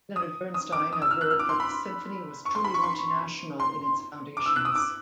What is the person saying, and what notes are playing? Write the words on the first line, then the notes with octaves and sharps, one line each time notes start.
Leonard Bernstein averred that the symphony was truly multinational in its foundations.
D#6
D#6
D6
D#6
E6
F6
F#6
F6
D6
C6
B5
C#6
C6
B5
C#6
C6
C6
D6
E6
F#6
D#6
D6